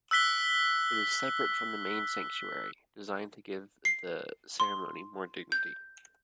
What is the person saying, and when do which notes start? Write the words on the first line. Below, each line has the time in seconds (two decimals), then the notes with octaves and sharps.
It is separate from the main sanctuary, designed to give the ceremony more dignity.
0.11 E6 F#6 B6 G7
3.85 C7
4.60 C6
5.52 G6